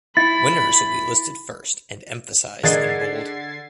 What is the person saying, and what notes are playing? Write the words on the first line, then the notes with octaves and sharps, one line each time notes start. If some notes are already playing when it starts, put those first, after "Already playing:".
Winners will be listed first and emphasized in bold.
E4 B5 A6
D3 D4 G#4 A#4 D#5 G#6 A6 C7